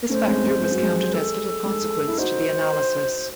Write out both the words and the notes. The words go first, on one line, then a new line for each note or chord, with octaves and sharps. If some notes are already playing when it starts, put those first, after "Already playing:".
This factor was counted as little consequence to the analysis.
A3 C#4 C5
G#3 C4
G#3
G#3
F#3
G#3
A4
G#3
E4
D#4 F#4 C5